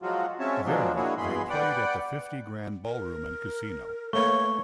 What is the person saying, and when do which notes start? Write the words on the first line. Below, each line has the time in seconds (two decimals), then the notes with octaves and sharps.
There, they played at the Fifty Grand Ballroom and Casino.
0.02 F3 F#3 G#3 F4 F#4
0.40 G#3 C4 C#4 C#5 E5 A5
0.65 B2 F3 F#3 G#3 D4
0.96 A#3 D4 E4 F#4 G#4 C#5
1.18 G2 B2 E3 G#4 B5 C6
1.50 B4 D5 F#5 G5
2.86 A#4
4.13 A3 A#3 B4 C#5 C#6 G7